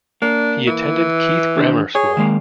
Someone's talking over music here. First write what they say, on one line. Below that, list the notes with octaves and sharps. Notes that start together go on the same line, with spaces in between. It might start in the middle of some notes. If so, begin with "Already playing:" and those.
He attended Keith Grammar School.
A#3 D4
E3
D#2 D4 C5
G#4 C#5
D#3 G#3 A#3